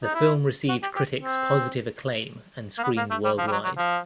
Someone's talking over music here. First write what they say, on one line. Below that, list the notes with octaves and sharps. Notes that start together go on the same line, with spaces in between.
The film received critics positive acclaim and screened worldwide.
D#4
E4
F#4
G4
G4
C4
A#3
B3
A#3
A3
G3
F3
G3
F#3
F#3
F3